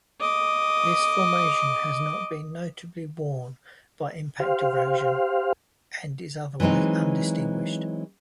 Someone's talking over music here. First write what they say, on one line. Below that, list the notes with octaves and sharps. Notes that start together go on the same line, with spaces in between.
This formation has not been notably worn by impact erosion, and is otherwise undistinguished.
D#5 D6
G4 C5 F5
E3 F#3 G#3 C4 D#4